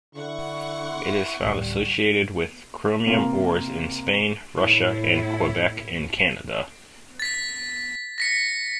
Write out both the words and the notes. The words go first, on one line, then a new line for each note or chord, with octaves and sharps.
It is found associated with chromium ores in Spain, Russia, and Quebec in Canada.
D3 E4 F#5 C#6
A1 D2 G3
C3 A#3 F4
A2 E4
A6 B6
A#6 B6 C#7